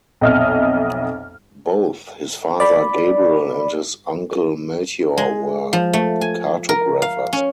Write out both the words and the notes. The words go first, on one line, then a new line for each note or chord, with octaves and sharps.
Both his father Gabriel and his uncle Melchior were cartographers.
B1 F2 D#5 E5 F6
D5 B5
G#3
F3
A3
G#5
A#4
F5
C#4